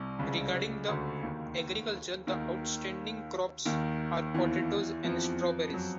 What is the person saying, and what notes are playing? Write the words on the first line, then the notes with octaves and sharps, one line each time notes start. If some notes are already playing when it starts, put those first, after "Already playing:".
Regarding the agriculture, the outstanding crops are potatoes and strawberries.
Already playing: C2 C3
C#2 C#3
D2 D3
D#2 D#3
D#2 D#3
D#2 D#3
E2 E3
F2 F3
F#2 F#3